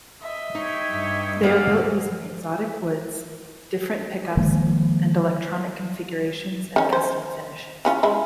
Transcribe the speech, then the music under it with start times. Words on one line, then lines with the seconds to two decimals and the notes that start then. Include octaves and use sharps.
They are built using 'exotic' woods, different pickups and electronic configurations and custom finishes.
0.21 D#5 E5
0.55 D#4 G4 C#5
0.90 G2
1.43 F#3 A#3 B3 D5 F5
4.37 D#3 F3 G#3 A#3
6.76 D#3 C#4
6.93 C5
7.85 E3 C#4 F4
8.03 G#3 E4